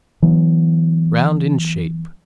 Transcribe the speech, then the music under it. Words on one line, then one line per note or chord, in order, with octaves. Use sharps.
Round in shape.
E3 F#3 B3